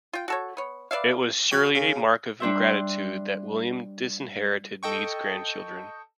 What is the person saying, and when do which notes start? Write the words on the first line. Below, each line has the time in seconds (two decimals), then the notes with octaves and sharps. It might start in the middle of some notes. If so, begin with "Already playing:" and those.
It was surely a mark of ingratitude that William disinherited Mead's grandchildren.
0.13 F4 G5
0.28 F#4 A4 C#5
0.57 B3 C#5
0.91 B4 D5 E5 F5
1.51 F#4 C#5 G5
1.75 C#3
2.40 G3 D4 C5 E5
4.83 A4 D#5 G5 C#6